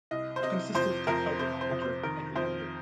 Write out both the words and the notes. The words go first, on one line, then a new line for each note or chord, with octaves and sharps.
It consisted of an orbiter and a lander.
C2 D#5
C5
C3 D#5
F2 C5
F2 A#4
C3 C5
C5
F2
C5
D#3 A#4
F2 C5